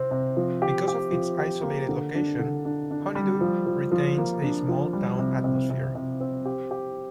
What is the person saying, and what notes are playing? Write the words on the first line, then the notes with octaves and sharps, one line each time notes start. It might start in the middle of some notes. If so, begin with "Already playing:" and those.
Because of its isolated location, Honeydew retains a small town atmosphere.
Already playing: C3 C4
C3
F3
G4
G4
F3
G4
A#3
D3
D4
D3
D4
D4
G3
F3
F3
F3
A#3
D4
F3
G3
C3
C3
C3
C3
C4
G4
G4